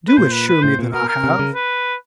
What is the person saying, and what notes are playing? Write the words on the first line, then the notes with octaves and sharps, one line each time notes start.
Do assure me that I have.
B4
A#2 C5
B4
B4
A2 C5
A#2
B2 A#4
A#4
C3
C#3
B4